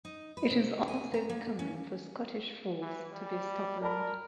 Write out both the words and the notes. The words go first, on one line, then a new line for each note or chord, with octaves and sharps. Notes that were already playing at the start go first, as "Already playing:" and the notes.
It is also common for Scottish Folds to be stubborn.
D#4
B4
C3
G#5
A#5
A#3
C#4
E3
G3
A#4 D5 A5 B5